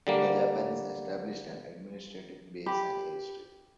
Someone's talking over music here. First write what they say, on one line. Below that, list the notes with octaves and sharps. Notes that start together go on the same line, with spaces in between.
The Japanese established an administrative base and airstrip.
D3 G3 A#3
G4 B5